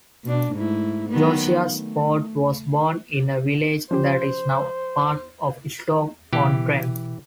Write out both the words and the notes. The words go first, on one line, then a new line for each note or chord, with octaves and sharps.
Josiah Spode was born in a village that is now part of Stoke-on-Trent.
B2 D4
G#2 A3 E4
D#3 F#3 B3
A3
F3 C#4 G4 C5
B2 E3 G4